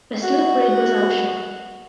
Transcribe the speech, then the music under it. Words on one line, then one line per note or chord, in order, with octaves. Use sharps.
A sloop rig was optional.
F#4